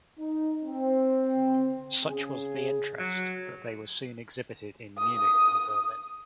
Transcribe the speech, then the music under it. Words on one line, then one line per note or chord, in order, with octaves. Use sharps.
Such was the interest that they were soon exhibited in Munich and Berlin.
D#4
C4
C#3 G#4
F#3
D#6